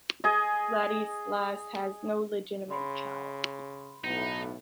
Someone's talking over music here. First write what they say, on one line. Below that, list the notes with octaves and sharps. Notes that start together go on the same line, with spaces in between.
Vladislas has no legitimate child.
G#4 D#5
C#3 B5 C6
B1 A2 B3 D#4